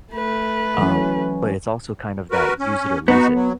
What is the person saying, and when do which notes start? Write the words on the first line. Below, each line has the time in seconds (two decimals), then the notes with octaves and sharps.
Um, but it's also kind of that use it or lose it,
0.14 A3 B4
0.78 E3 F#3 C#4
2.31 F#4 A#4 B4
2.59 C#4
3.08 B3 D#4 F#4
3.34 F#3